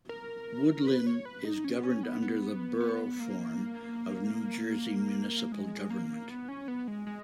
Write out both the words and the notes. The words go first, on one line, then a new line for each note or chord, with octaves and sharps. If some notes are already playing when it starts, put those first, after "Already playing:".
Woodlynne is governed under the Borough form of New Jersey municipal government.
A#4
B4
C#5
B4
D#4
C#4
B3
C#4
B3
B3
B3
B3
A#3
G#3
A#3
B3
C#4
B3
G#3
G#3